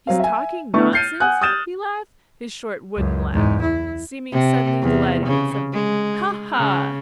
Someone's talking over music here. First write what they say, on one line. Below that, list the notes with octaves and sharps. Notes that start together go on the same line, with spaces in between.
"He's talking nonsense?" he laughed, his short, wooden laugh, seeming suddenly delighted at something--"ha ha!"
F#3 C4 F5
E5 G#5
D3 A3 B3 E4 A5 C#6
F6 G6 A6 C7 C#7 D#7
F#5 G#5 D#6 F#6
D#6 F6 G6 A6 E7
C#2 F#2
E2 G#2
E4
C3
E2
C#3
G#3
C#3